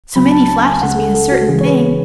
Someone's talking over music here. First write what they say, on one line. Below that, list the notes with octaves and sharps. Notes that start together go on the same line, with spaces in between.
So many flashes mean a certain thing.
C#2 C#3 F#3 B5
A5
A5
G#5
C#2 C#3 G#3 F#5
A4
A4
F#4
D2 C#3 E3 G#3 G#4
C#5
B4